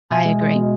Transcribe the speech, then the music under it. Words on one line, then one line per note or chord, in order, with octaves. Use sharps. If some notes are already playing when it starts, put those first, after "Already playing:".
I agree.
B2 E5 G#5
G#3
G#3
B2